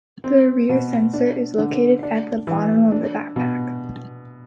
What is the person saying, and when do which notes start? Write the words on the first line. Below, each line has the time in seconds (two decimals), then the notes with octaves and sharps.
The rear sensor is located at the bottom of the backpack.
0.24 C4
0.69 B2
1.13 D4
1.58 D3
2.03 D4
2.47 E3
2.92 D4
3.36 B2